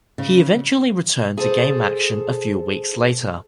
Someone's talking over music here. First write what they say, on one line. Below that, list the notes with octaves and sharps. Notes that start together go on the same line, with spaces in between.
He eventually returned to game action a few weeks later.
C#3
G#4 A4 C5